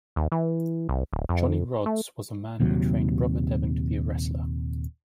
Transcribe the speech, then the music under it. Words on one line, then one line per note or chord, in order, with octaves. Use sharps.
Johnny Rodz was the man who trained Brother Devon to be a wrestler.
D#2
E3
C2
D1
F2
A3
D#1 D#2 C3 F#3